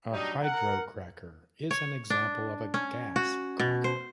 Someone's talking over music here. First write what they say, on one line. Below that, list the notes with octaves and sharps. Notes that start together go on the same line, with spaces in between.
A hydrocracker is an example of a gas cracker.
F#3 G3 D4 D#4
A#4 F#5
C#5
D4
C#4
F#4
B2
C5